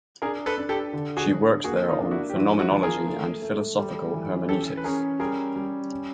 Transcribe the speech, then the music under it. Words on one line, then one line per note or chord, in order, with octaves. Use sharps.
She worked there on phenomenology and philosophical hermeneutics.
D4 G#4 A#4
A4 B4
D4
G4 A4
D3
F#4 G#4
D3
A#3 F#4 G#4
D#4 F4
D4
E4 F#4
G4
F3 E4 F#4
E4 F#4
F3
G#4 A#4
A3
A3
G3
E3
C#4 G4 A4
B4
C#4 G#4 A#4
G3 G#4 A#4
G3
C#4